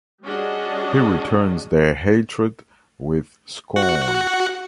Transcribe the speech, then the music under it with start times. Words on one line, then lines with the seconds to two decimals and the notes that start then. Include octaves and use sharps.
He returns their hatred with scorn.
0.24 G3 C#4 D4 F#4 G#4 D#5
3.76 F#4 F#5